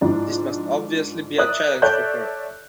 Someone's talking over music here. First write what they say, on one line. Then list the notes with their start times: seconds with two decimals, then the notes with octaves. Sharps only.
This must obviously be a challenge for her.
0.01 G#2 F3 D4 E4
1.38 A#4 D5 E5 D#6 F#6
1.82 A4 C#5 D5 E5 F#6 G6